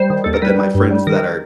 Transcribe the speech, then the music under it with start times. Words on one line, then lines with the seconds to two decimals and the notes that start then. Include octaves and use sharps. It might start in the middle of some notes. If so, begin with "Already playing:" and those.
But then my friends that are
Already playing: G3 C5
0.10 D#3
0.24 D#2 A4
0.34 A#4
0.42 G3 B4
0.59 G3
0.75 G2
0.91 G3
1.07 D#3 A#4